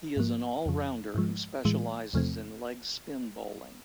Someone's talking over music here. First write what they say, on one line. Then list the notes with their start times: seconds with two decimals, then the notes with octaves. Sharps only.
He is an allrounder who specializes in leg spin bowling.
0.17 G#2 F3 A#3
0.66 F2 C#3 F3
1.15 G#2 F3 G#3
1.65 A2 E3 G#3
2.13 E2 C3 F3 A3 C4